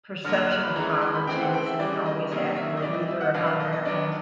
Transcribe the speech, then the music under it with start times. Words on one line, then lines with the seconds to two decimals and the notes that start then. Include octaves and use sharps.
perception of poverty isn't always accurate either or how it happens.
0.25 D3 F#3 A#3 F6
0.38 F#6
0.51 F6
0.63 B5
0.76 E3 G#3 C#4 A#5
0.89 B5
1.01 C6
1.15 B5
1.27 C#3 E3 A3 C4 G5
1.41 F#5
1.54 G5
1.66 E5
1.79 C#3 E3 G3 D5
1.92 D#5
2.06 D#5
2.31 C3 D#3 F#3 A#3 C#4 D#5
2.44 D#5
2.57 E5
2.70 E5
2.77 D#5
2.82 C3 E3 G3 D5
2.95 D#5
3.08 E5
3.21 F#5
3.34 B2 F#3 B3 D4 F5
3.46 F5
3.60 D#5
3.73 D#5
3.85 D#3 F#3 B3 D4 D5